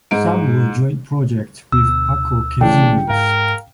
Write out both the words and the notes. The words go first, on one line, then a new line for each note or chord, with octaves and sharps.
Some were joint projects with Accor Casinos.
G#2 D#4 D7
D2 B2 E6
A1 C#3 D4 G5
G#2 A#4 F5